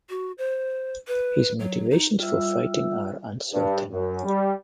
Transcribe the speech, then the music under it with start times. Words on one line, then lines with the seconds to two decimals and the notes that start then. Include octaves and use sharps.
His motivations for fighting are uncertain.
0.10 F#4
0.38 C5
1.07 B4
1.59 F#3
1.91 D#4
2.19 G3 F4 E5 E6
3.54 G2
3.91 F#2
4.25 G3